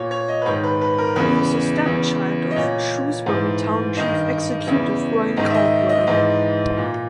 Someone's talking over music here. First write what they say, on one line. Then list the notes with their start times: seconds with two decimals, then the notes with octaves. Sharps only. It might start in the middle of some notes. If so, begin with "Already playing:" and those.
He is the stepchild of Shrewsbury Town chief executive Brian Caldwell.
Already playing: A#2 C#5
0.11 C#5
0.28 D#5
0.42 B4
0.46 G#2 D#3 C#5
0.63 B4
0.81 B4
0.98 A#4
1.16 E2 C#3 E3 B4
1.86 E2 C#3 E3
2.51 D#5
2.56 A#2 C#5
3.26 G#2 E3
3.97 G2 D#3 D#5
4.67 E2 C#3 E3
5.37 G#2 D#3 D#5
5.50 E5
5.54 D#5
5.89 D#5
6.07 G#2 E3 D#5
6.77 A#2